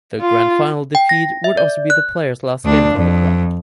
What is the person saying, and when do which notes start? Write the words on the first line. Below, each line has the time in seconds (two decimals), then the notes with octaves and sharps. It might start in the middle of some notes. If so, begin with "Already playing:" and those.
The grand final defeat would also be the players last game for the club.
0.20 F4
0.95 G5
1.09 A#6
1.44 E5
1.57 D5
1.90 F#6
2.65 D2 D4
2.95 F2